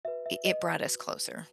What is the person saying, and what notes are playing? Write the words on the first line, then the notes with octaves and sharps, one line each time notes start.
it it brought us closer.
F#4 B4 E5
E5
D#5
F#4 B4